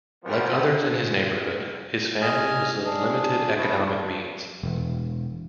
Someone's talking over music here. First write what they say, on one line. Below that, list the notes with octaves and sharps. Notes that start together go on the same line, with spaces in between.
Like others in his neighborhood, his family was of limited economic means.
A1 E2 F3 G3 B3 A#4
D#5 G#5 F6
D4 G#4
C#4 E4 A5
E1